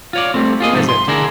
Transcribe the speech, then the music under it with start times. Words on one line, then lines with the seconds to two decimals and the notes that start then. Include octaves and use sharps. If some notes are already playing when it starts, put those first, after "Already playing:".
"Who is it?"
0.13 F4 C#5 D5
0.34 G3 A3 C4
0.60 F4 G#4 D#5
0.73 G#2 C3 D#3 F3 A3
0.89 C6
1.08 D3 D4 E4 G#4 A#4